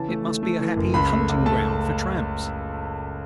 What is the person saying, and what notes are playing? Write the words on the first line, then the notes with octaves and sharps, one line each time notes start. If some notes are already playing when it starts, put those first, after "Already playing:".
"It must be a happy hunting ground for tramps?"
Already playing: C#3 E3 A5
A3
A3
A3
E3
F#1
C#2 B5
A3
C#2
A3 A5